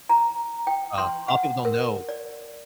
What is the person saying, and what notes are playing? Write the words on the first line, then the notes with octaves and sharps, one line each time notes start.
Uh, lotta people don't know
A#5
G5
C6
F#5
A#4
D5